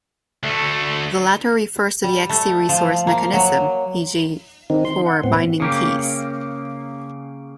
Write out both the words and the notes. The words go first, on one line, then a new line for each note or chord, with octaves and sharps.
The latter refers to the Xt resource mechanism, e.g., for binding keys.
D2 A3
G3
A3
F3
A#3
F#3
D#3 C4 D#4
C6
F#5
A2 B3 C4
C#3 A#3 G4